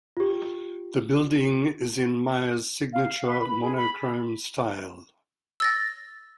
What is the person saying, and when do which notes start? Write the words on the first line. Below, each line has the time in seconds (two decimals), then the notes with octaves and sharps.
The building is in Meier's signature monochrome style.
0.17 F4 G4
2.93 F5
3.26 B4
3.40 B5
3.62 G#4
3.76 B5
5.60 E6 A6 A#6